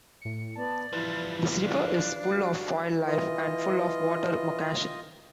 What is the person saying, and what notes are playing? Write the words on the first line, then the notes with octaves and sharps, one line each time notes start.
This river is full of wildlife and full of water moccasin.
A2 C#7
B3 D5 A5
E3 F3 G3 B4
D4 F5
F#4
E3 F4 D#5